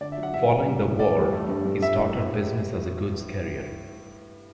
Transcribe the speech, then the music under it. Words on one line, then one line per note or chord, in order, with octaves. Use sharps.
Following the war, he started business as a goods carrier.
D3 D5
E5
F#3
F#5
G2 E5
D3
G3
A2
A2 D5
G3
A3
G2
G2
G2 E5
A2
A2